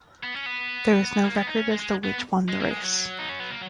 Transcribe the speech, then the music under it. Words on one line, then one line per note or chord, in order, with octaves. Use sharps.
There is no record as to which won the race.
B3
C#4
B3
A#3
B3
D#4
C#4
G#3
G#3
B3
G#3
A#3
G#3
F#3
D#4
C#4
B3
A#3